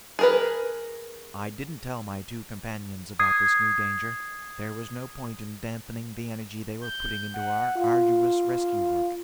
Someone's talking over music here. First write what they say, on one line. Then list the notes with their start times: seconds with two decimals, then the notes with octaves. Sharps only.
I didn't tell my two companions about this new danger. There was no point in dampening the energy they were putting into our arduous rescue work.
0.19 G#4 A#4 B4
3.20 D#6 G#6 C7
6.81 G6
7.34 F#5
7.75 F4